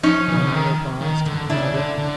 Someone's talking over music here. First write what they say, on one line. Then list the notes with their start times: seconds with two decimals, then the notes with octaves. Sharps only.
One hour passed, and another.
0.03 F3 C#4 D#4
0.28 E3
0.36 C#3
0.44 D3
0.52 D#3
1.01 D#3
1.25 D3
1.50 C#3 D4 E4
1.73 D3
1.98 D3